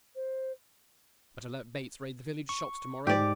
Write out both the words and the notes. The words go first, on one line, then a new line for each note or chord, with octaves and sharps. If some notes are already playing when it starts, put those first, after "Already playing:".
Better let Bates raid the village shops to-morrow.
C5
C#6
G#2 G4 D5